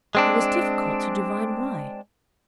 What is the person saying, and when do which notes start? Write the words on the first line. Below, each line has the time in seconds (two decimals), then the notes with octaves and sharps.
It was difficult to divine why.
0.15 G#3 C4 D4